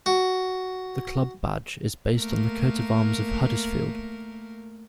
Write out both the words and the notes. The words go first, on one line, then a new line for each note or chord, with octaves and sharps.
The club badge is based on the coat of arms of Huddersfield.
F#4
A3 A#3 A#4